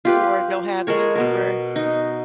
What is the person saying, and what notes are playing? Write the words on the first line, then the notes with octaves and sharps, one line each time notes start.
or they'll have the scooper,
F4 G4 B4
G#3 A4 A#4 C#5
B2 B3 A#4
D#4